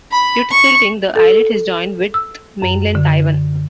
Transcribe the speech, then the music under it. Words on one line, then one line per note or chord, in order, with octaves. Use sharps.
Due to silting, the islet has joined with mainland Taiwan.
B5
C#6
A4
E6
F#2
D3